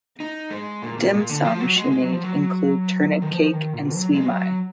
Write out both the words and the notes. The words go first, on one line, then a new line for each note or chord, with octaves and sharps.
Dim sum she made include turnip cake and siu mai.
D#4
G#3
A#2
A#2
A#2
D3
F3
F#3
G#3
G#3
F#3
F3
F#3
D#3
F3
D#3
A#2
F#3
G#3
F#3